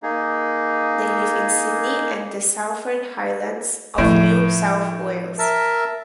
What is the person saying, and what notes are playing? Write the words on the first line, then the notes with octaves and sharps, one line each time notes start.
They live in Sydney and the Southern Highlands of New South Wales.
A#3 D#4 G#4
A2 F3
A#4 E5 A5